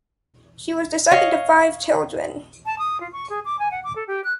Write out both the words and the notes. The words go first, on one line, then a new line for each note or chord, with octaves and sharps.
She was the second of five children.
C#5 D#5 F5
A5
D#6
F4
C#6
G#4
D6
G#5
F#5
D6
A4
G4
F#6